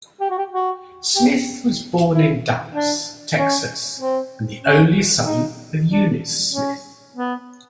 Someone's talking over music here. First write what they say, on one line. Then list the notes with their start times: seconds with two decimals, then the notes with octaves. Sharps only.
Smith was born in Dallas, Texas and the only son of Eunice Smith.
0.20 G4
0.30 F#4
0.38 G4
0.52 F#4
1.16 G4
2.11 E4
2.73 D4
3.37 C#4
4.00 C4
4.63 C#4
5.26 D#4
5.89 D4
6.53 C#4
7.16 B3